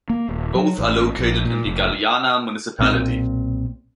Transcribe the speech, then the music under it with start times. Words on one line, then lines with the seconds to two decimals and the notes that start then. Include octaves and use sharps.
Both are located in the Galeana municipality.
0.10 A#3
0.29 D#1
0.55 F#3
0.79 A1
1.19 A#1
1.45 A#2
1.65 F1
2.79 B1 A#2 C4